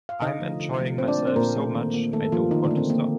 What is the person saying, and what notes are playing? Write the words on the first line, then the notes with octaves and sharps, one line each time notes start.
I'm enjoying myself so much I don't want to stop.
F5
D3 D#4 D#5
F3 A3
D3
F3 A3
A#2 C4 C5
D4 D5
A3
C4 C5
A#2 A#3 A#4
A3
D#3
A#3
D#3 A3 A4
F3 A#3 F4
D#3 D#4
D3 D4
A3
C4
D#3 A#3